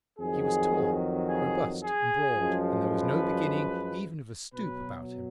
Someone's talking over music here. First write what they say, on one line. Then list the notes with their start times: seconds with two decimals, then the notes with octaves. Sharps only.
He was tall, robust, and broad, and there was no beginning even of a stoop about him.
0.19 F2 D#3 F#3 G#4
1.29 G#4
1.83 G#4
2.37 F#2 F3 G#3
2.91 B4
4.54 B2 F#3 B4